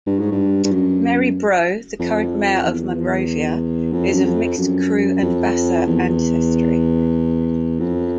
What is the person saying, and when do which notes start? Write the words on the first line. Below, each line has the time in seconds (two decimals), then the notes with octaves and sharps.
Mary Broh, the current mayor of Monrovia, is of mixed Kru and Bassa ancestry.
0.06 G2
0.20 G#2
0.32 G2
0.64 G2
0.72 F#2
2.00 F2
2.64 E2
3.93 F2
4.14 F#2
4.25 F2
4.58 F#2
5.22 F2
5.87 E2
7.80 F2